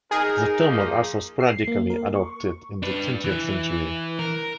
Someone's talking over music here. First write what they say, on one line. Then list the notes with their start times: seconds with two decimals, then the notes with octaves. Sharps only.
The term was also sporadically adopted in the twentieth century.
0.11 D#4 G#4 A#4
0.69 F3 A#3 D#4
1.40 C7
1.68 A#3
1.90 A#4
2.16 C#6
2.83 D4 B4
3.25 E3
4.19 A#4